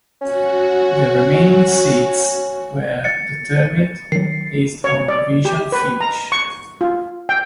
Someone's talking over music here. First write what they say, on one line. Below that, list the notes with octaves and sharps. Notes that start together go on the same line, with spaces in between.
The remaining seeds were determined based on division finish.
C#4 F#4
A6 C#7
D#3 F#3 C7
C#5
D5
G4
B4
A#5
C#6
F4
G5